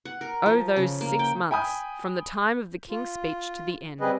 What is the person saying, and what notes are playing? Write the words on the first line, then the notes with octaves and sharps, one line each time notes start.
Oh, those six months, from the time of the King's speech to the end!
F#5
A#4
F3
C#3
A#3
G5
G5 G#5 B5 D#6 G6
F4
G3 C4 G#4 B4 D#5